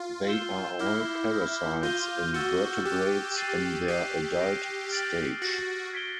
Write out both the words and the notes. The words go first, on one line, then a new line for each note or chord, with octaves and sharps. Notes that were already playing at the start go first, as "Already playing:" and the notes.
They are all parasites in vertebrates in their adult stage.
Already playing: F4
E6 G6 C7 E7 G7
E4 D6 F6 A#6
D#6 G6 A#6
F4 G6 A#6 D#7 G7
F#4 C#6 E6 A6 C#7 E7
G4 F#6 B6 E7 G7
A6 C7 D#7 F#7
G4 D#6 F#6 A6 C7
F6 A#6 D7
F6 A6 D7 F#7
F#4 F6 A#6 C#7 F#7
G#6 B6 D7 G7